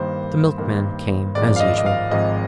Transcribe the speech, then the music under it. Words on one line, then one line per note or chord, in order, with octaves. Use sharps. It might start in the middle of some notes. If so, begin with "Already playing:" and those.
The milkman came as usual.
Already playing: G2 D#3 A#3 C5
G2 D#3 A#3
G#1 G#2 F3 D5
F5
D#5
D#5
F5
G#1 G#2 F3 D#5